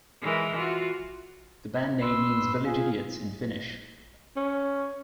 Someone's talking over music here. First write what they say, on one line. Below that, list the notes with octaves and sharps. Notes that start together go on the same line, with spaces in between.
The band name means "Village Idiots" in Finnish.
E3 G#3 A#4
F4 F#4
B4 C6 E6
F4 G#4
C#4